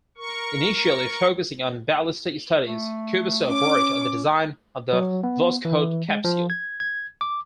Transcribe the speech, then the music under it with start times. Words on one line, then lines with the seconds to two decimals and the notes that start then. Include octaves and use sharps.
Initially focusing on ballistic studies, Kubasov worked on the design of the Voskhod capsule.
0.17 A#4 C#6
2.67 A3
3.47 C#4 D6
4.93 F#3
5.23 B3
5.65 E3
6.09 G#3
6.24 F3
6.50 G#6
6.80 G#6
7.21 D6